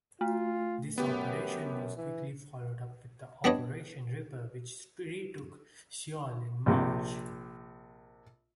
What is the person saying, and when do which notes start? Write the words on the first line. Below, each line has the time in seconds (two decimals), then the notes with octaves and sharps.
This operation was quickly followed up with Operation Ripper, which retook Seoul in March.
0.21 A3 F4
0.98 F#2 B3 G4
1.96 E3
3.44 G3 B3 D4 C#5 D#5
6.66 A#1 C3